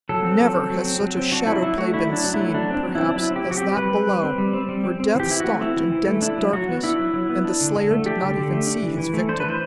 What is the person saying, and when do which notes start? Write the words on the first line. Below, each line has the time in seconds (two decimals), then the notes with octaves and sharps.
Never has such a shadow-play been seen, perhaps, as that below, where death stalked in dense darkness, and the slayer did not even see his victim.
0.09 F#3 A4
0.24 C4
0.40 F#3
0.55 C4
0.70 F#3
0.85 C4
1.00 F#3
1.17 C4
1.32 D4 F#4
1.47 F#3 E4
1.62 F#3 E4
1.77 A3 F#4
1.93 D4 E4
2.08 F#3 D4
2.24 F#3
2.34 E4
2.39 A3
2.54 F#3 D4
2.70 C4 D4
2.85 F#3
2.95 E4
3.01 C4
3.09 D4
3.16 F#3 E4
3.31 C4 G4
3.46 F#3 F#4
3.57 C4 G4
3.77 G3 B4
3.92 C4
4.07 G3
4.23 C4
4.38 G3
4.53 C4
4.69 G3
4.84 C4
5.00 C4
5.15 E3 G4
5.30 E3 E4
5.40 F#4
5.45 A3
5.61 C4 E4
5.76 E3
5.92 E3
6.06 A3
6.22 D4 E4
6.38 F#3
6.53 F#3 F#4
6.69 B3
6.83 D4 E4
6.99 F#3
7.14 F#3
7.29 B3
7.45 D4
7.61 D3
7.76 D3
7.91 A3
8.06 D4 G4
8.22 D3
8.37 D3
8.52 A3
8.67 D4
8.83 E3
8.98 E3
9.14 A3
9.29 D4 C5
9.40 E3 B4
9.50 C5